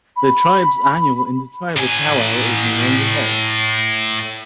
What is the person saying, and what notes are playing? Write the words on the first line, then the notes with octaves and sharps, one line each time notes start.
The tribe's annual intertribal powwow is no longer held.
B5
A2 G#5